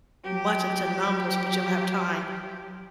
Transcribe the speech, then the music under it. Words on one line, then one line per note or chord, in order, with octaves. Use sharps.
much into numbers but you don't have time
F#3 G4